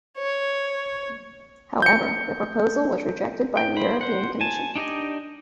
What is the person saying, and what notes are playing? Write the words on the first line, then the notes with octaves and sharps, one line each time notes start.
However, the proposal was rejected by the European Commission.
C#5
G6 C#7
G5
C5 B5
C5 F#5
G#5 A5
D4 D#4 G4 D5 D#5